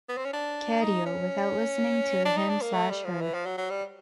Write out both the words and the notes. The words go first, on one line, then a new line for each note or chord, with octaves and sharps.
Cadio, without listening to him/her.
B3
C4
C#4
D4
D#4
C#4
D4
D#4
D4
A#3
A3
G3
F3
E3
F3
F#3
F#3
G3